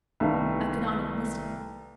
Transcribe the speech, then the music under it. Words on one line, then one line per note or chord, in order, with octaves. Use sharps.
I could not have missed it.
C2 D#3 A3 B3 F5